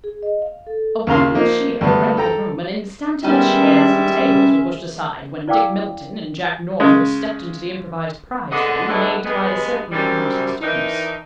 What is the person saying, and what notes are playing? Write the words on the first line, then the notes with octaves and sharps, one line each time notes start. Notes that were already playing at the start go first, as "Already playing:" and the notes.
A wild cheer rent the room, and instanter the chairs and tables were pushed aside, when Dick Milton and Jack Norfolk stepped into the improvised prize ring, made by the circling arms of the students.
G#4
D#5
F5
A4
D#2 C#3 F5 A#5 C6
F3 A#3 D#4
D2 G3 B3
A4 G5 A#5
D#3 G3 G#3 B3 C#4 E5
E4 D5 F5 G5 D6 E6
C#3 G#3
D3 G#3 B3 A4 D5 D#5
B2 D3 F#3 G#3 A3 D4
G2 G#3 B3
F#2 C3 G3
D#3 E3 D4 D#4